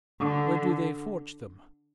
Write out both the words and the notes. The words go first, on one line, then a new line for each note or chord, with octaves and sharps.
Where do they forge them?
D3